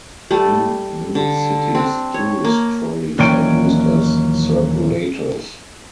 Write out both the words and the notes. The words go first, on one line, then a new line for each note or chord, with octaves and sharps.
In many cities tourist trolleys are used as circulators.
G3 A3
D3
C4 D4
C#5
A#3
D#2 A#2 E3 F#3 C#4 G5